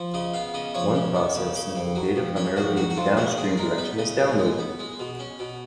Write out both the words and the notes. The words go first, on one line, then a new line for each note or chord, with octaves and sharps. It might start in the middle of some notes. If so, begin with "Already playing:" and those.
One process sending data primarily in the downstream direction is downloading.
Already playing: F3
C#3 D#5
B3 F5
C#3 D#5
F3 C#5
C#3
B3
C#3
C#3
F2
F#3
F2
C#3 C#5
F2 F#4
F#3 F#4
F#4
F2 F4
C#3 F#4
F#2 G#4
G#3 A#4
B3 B4
C#3 D#5
F#2
G#3
B3
G#3
B2
C#4
B2